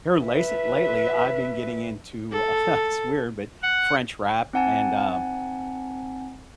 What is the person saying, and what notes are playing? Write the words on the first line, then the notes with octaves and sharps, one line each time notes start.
here, lasely lately, I've been getting into, uh, it's weird, but French rap and, um,
B4 E5
A4
F#5
C4 D#4 F#5 G#5 A5